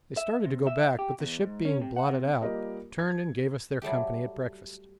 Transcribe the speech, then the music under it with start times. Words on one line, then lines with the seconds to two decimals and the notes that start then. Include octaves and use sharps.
They started to go back, but the ship being blotted out, turned and gave us their company at breakfast.
0.17 E5
0.46 C3
0.67 E5
0.99 G4
1.20 E2
1.41 G#2
1.65 C#4
1.82 C3
1.96 F#5
2.09 C3
2.42 G3 A#3 F4 G4 A#4 D#5
2.99 G#6
3.82 F#3 G3 A3 G4